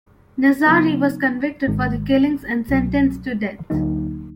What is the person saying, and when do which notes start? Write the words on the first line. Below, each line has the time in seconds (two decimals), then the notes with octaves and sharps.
Nazari was convicted for the killings and sentenced to death.
0.66 C#3 F#3 B3 D#4
1.67 G#1 G#2 D#3 G#3
2.68 C2 B2 F#3
3.70 D2 D3 F#3 A#3 D#4